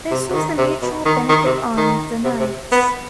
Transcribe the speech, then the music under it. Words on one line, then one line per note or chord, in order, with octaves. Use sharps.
This was the mutual benefit arm of the Knights.
C3
C3
D#3
C3
B2
D#3
D#3
C3
D#3
C3
C3
B3